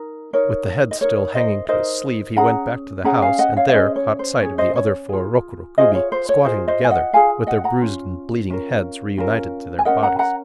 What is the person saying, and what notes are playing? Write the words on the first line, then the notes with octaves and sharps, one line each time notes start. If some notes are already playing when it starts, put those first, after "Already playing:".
With the head still hanging to his sleeve he went back to the house, and there caught sight of the other four Rokuro-Kubi squatting together, with their bruised and bleeding heads reunited to their bodies.
Already playing: D#4 A#4
D#4 A#4 C#5
D#5
D#4 A#4 C#5
C5 D#5
D#4 A#4 C5 D#5
C#4 G#4 F#5 A#5
C#4 G#4 F#5 A#5
F5 G#5
D#5 F#5
C#5 F5
F5
C#4 G#4 C5 D#5
C#5
C5
C#4 G#4 C#5
C5 D#5
C#5
F4 G#4
F4 G#4 C5 D#5
C#5
C5
C#5
F4 G#4 C5 D#5
C5 D#5
G#5
D#5 F#5
F4 G#4 F5 G#5
D#5 F#5
F#5 A#5
C#4 F4
C#4 F4 A#4
C#4 F4 A#4
G#5
C#4 F4 A#4 D#5 F#5
F#5 A#5
F#5 A#5